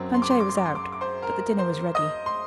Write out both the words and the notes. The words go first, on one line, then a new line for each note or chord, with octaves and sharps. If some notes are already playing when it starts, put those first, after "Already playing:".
Planchet was out, but the dinner was ready.
Already playing: F#2 F#3 C4
C6
D6
C6
D6
C6
D6
C6
D6
C6
D6
C5 C6
A#4 A#5
C5 C6
D#5 D#6
C6